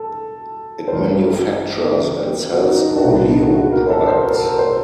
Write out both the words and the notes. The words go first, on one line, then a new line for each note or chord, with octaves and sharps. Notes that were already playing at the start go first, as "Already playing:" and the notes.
It manufactures and sells audio products.
Already playing: A4
C5
A1 G2 F#3 A#4
A#4
G4
F#4
D#4
D#4
D4
F#4
C2 A#2 G3 D#4
D4
D#4
F#4
F#4
A#4
A4
C5
A#4
A4
A#4
C5